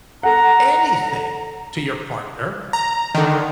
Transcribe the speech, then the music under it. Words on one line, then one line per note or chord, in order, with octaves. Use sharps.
anything to your partner,
A4 F#5 A#5
A#5
D3 D#3